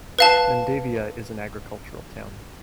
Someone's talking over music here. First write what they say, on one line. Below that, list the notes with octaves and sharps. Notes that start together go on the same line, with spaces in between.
Mendavia is an agricultural town.
B4 F5 A5